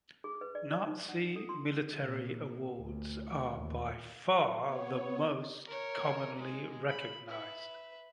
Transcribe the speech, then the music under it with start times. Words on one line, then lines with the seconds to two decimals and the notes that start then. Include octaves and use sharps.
Nazi military awards are by far the most commonly recognised.
0.24 G#4
0.41 B4
0.55 D5
0.72 D5
0.86 D#4
1.09 F#5
1.36 A4
1.49 C6
2.01 A#2
2.79 D2
3.57 D#2
4.65 B3 C#5
5.67 A#4 C#5
6.37 G#3
6.88 B5
7.28 B4 E5